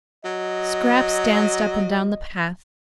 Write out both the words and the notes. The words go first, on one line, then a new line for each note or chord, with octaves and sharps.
Scraps danced up and down the path.
F#3 D#5